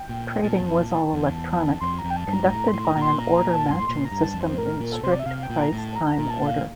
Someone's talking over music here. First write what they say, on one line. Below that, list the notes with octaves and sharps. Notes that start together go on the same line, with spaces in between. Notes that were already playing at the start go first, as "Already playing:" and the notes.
Trading was all-electronic, conducted by an order matching system in strict price time order.
Already playing: G5
A#2
A#2 A5
F2
A#2
E2
F2 C6
A#5
F2
G5
A5
G2
A#5
A#2
A2 A#5
A2 C6
A#5
A#2
C6
A#5
A#5
A5
G2 C6
A2
A#2 C6
A#5
G2
A5
F2
C5
A2 A#4
A#2
A4
C3 C5
D5
E5
C3 F5
G5
A#2
A#5
A2
A5
A#5
A#5
A#2
A5
A#2
F5